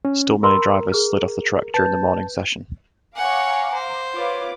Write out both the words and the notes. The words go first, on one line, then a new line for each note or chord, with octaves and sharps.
Still many drivers slid off the track during the morning session.
C#4
A#4 B5 C6 E6
G#4 F6
B4 A5 G6
C#5 F5 F#5 G#5 A#5 D6
C5
F4 B4 C#5 D6